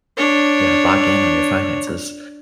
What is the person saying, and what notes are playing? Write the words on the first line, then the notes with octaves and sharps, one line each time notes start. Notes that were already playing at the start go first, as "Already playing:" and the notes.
Yeah, lock in on your finances.
D4 C#5